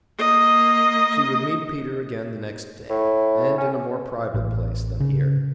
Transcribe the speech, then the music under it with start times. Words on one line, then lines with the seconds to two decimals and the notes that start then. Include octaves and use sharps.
She would meet Peter again the next day, and in a more private place than here.
0.18 A#3 D#5
2.90 A2
3.58 C#4
4.34 A1
5.00 C#3